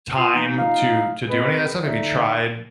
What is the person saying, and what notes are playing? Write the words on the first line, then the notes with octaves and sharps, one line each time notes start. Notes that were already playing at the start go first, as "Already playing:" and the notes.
time to to do any of that stuff? Have you tried
F4 C6 D#6
E3 A#3 B3 D#4
A#3 D#4 F4 F5
C4 G#4 A#4 B4 D#5 B5
D#2 D3 A3 D#4 D5 E5